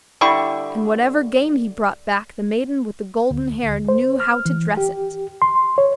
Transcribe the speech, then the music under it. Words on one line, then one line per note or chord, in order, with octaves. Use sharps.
And whatever game he brought back the maiden with the golden hair knew how to dress it.
D3 G3 E4 C#6
D2
D2
C5
F6
E3
G4
C6
C#5